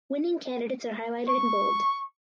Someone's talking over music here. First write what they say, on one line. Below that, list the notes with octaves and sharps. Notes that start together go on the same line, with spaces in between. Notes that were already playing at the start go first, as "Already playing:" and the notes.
Winning candidates are highlighted in bold.
C#6